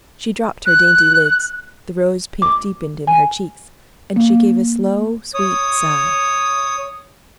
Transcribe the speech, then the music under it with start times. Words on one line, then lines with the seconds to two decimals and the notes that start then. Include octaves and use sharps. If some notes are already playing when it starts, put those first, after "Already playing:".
She dropped her dainty lids, the rose pink deepened in her cheeks, and she gave a slow, sweet sigh.
0.66 F#6
2.42 D6
3.07 G#5
4.16 A#3
5.34 C#5 D#6